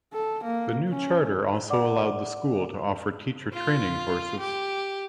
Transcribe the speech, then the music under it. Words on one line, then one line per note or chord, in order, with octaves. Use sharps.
The new charter also allowed the school to offer teacher training courses.
A4
A#3
C#4
D5 F#5 D6
F4
G4